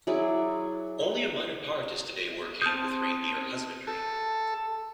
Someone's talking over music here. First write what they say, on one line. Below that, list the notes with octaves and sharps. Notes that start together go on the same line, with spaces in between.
Only a minor part is today working with reindeer husbandry.
F#3 E4 G#4 D5
C4 A5 D#6 F6 G6
A4